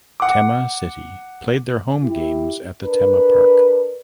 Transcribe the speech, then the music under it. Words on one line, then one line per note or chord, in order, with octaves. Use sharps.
Tema City play their home games at the Tema Park.
F#5 D6
E4 G4
D4 A#4 B4